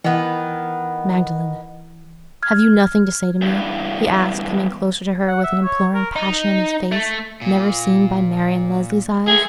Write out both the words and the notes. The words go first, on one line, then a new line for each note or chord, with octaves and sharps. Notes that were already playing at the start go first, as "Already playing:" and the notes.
"Magdalen, have you nothing to say to me?" he asked, coming closer to her with an imploring passion in his face never seen by Marian Lesley's eyes.
D#3 E3 B3
F6 G#6
E2 G2
F#5
E5
C#5
A#4
D#4
A3
A#2
G#3 A3 G#4